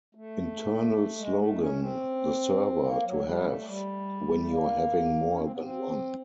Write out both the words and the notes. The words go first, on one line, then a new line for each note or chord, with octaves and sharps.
Internal Slogan: The server to have when you're having more than one.
A3
G#3
A3
C#4
C4
A#3
F#3
G3
A3
G3
A3
A#3
C#4
C4
B3
C4